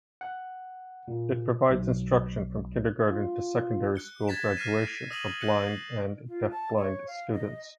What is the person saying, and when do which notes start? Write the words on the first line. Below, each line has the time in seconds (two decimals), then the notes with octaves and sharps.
It provides instruction from kindergarten to secondary school graduation for blind and deafblind students.
0.21 F#5
1.08 A#2
1.69 B1
3.07 F4
3.96 F#6 C#7 G7
4.28 F#6 G#6 A6 B6 E7
4.57 F6 A#6 C7 D#7
5.10 D#6 E6 A#6 D#7 F7 F#7
5.40 F#6 A#6 C#7 F#7
6.28 F4
6.51 A5
6.77 C#5
7.07 F5
7.33 D#5